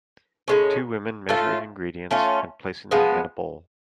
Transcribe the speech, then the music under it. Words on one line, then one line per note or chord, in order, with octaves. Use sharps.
Two women measuring ingredients and placing them in a bowl.
A2 G#3 C#4
A3 C#4 F4
A3 C#4 F4
F3 G#3 B3